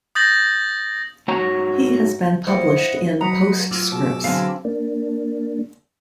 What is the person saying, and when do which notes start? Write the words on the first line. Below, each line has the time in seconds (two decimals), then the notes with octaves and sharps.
He has been published in "Postscripts".
0.15 D#6 G6 A6 A#6 F#7
1.28 G#2 F#4 C#5 A#5
2.47 E4 C5 D5 D#5 F5 F#5
3.21 F#3 D#5 F#5 A#5 B5
3.71 F4 D6 E6
3.92 B2 G#4
4.24 D3 F#3 C4 D4 B4 F5 G#5
4.65 A#3 D4